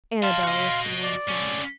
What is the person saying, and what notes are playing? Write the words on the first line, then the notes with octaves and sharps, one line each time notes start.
Annabel lifted one hand.
D#5 F5 A5 C6
F#4 D#5
D5
D3 C#4